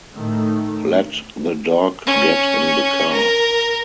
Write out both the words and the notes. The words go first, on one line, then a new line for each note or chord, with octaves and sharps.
Let the dog get in the car.
A2 D#3 A3
C#4
A#4